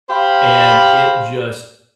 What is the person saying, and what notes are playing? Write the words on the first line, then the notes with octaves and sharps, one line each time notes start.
and it just
G4 C5 F5 B5